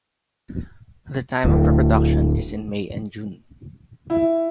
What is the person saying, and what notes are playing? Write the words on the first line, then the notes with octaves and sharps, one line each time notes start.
The time of reproduction is in May and June.
D1
E4